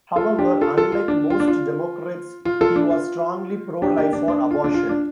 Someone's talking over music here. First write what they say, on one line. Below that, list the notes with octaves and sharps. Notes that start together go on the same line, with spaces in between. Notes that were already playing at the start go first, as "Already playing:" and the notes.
However, unlike most Democrats, he was strongly pro-life on abortion.
F4 A4
D4 G4
F4 A4
F4 A4
F4
D4
F4
D4
F4
F4
F4 A4
D4
F4
D4 G4
D4 G4
D4
D4
F4
D4
F4
D4